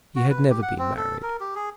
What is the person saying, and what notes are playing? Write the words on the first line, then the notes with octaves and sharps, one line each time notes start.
He had never been married.
F#4
B4
G4
F#5
C4
A4
A#4
G4
G#4